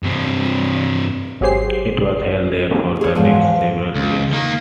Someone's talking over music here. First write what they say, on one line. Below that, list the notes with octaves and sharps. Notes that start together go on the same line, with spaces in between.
It was held there for the next several years.
G2 C4
G#1 F#3 G4 G#4 C5 C7
G#4 C#5
E2 G#2 F3 B3
C#2
D#3 A#3